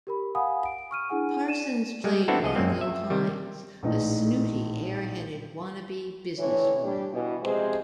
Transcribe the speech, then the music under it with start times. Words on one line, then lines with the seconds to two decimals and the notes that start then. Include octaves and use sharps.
Parsons played Margot Hines, a snooty, airheaded wanna-be businesswoman.
0.07 G4 A#4 B5
0.35 F5 F#5 G#5 B5 D#6
0.65 D7
0.91 C#6 F6 D#7
1.09 D4 E4 G#4 F#5 G#5
1.47 D5 D#7 E7
2.04 G3 G#3
2.28 B3 C4 D4 E4 F#4 A4
2.43 C2 G#4 D#5
2.55 F#2 F#3 G#3 A#3 C4
2.81 E5
3.10 C3 D#3 G3
3.83 A#1 A2 E3 D#4 G#4
6.38 A2 D3 E3 C#5
6.82 G3 D4 G4
7.12 B2 E3
7.43 C3 F3 G#3 G#4 C5 D#5